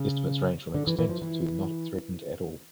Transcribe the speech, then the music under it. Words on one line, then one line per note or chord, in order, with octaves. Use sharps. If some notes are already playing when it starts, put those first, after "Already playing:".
Estimates range from extinct to not threatened at all.
Already playing: C#3
D3
E3
E3
F3
E3